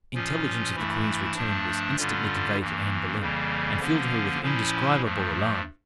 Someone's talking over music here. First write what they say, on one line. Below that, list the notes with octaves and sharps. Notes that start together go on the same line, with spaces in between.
Intelligence of the queen's return was instantly conveyed to Anne Boleyn, and filled her with indescribable alarm.
A#2 F3 C#4 F4
G2 E3 A3 E4
G2 F3 A3 D4
G2 D3 G3 C#4 F4
G2 E3 A#3
F2 C#3 E3 G3 A#3
D3 F3 A#3 C#4
A#2 F3 C#4 E4
G2 F3 A3